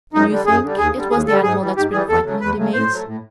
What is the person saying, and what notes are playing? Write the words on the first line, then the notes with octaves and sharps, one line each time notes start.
"And you think it was the animal that's been frightening the maids?"
F#2 D#4
D3 G3
F#2 G#4
D3 G3
D#2 G#4
D3 G3
D#2 G#4
D3 G3 A4
G#2 G#4
E3 G3
G#2 G4
E3 G3 G#4
E2 A4
C#3 F#3 A3
E2 B4
C#3 F#3 A3
A2 C5
F#3 A3
A2